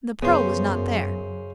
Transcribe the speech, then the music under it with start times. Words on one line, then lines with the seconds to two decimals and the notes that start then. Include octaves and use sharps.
The pearl was not there.
0.22 F#2 C#3 B3 C5